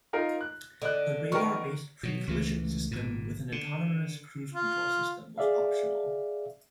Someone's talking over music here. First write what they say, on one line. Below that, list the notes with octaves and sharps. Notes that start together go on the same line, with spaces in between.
The radar-based pre-collision system with an autonomous cruise control system was optional.
D#4 F4 A#4
F#6
D3 D#5 F#6
D#3 B3 A#4 G5 C#6
B2 F#3
C#2 E3 A3
G#1 A#2
D3
F4
G#4 D5 E5 F5